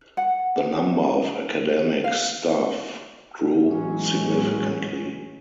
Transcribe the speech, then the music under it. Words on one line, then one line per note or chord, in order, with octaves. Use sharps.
The number of academic staff grew significantly.
F#5
F5
A2 E3 F#3 G#3 C#4